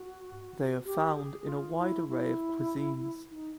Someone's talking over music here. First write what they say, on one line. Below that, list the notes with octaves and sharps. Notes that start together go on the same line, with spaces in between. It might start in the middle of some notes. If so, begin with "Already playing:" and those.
They are found in a wide array of cuisines.
Already playing: F#4
G4
G#4
F4
E4
E4
D#4